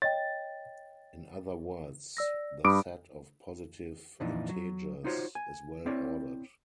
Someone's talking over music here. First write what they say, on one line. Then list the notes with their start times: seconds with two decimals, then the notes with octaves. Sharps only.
In other words, the set of positive integers is well-ordered.
0.02 C#5 D#5 G5 A6
2.17 D5 E6 A#6
2.64 G2 B5 D6 D#6 D7
4.20 F2 A#2 E3 D4 D#4
4.49 F#3
5.04 D#4 F4 F#4 C5 C#5
5.35 G#5
5.86 C4 E4 C#5 D5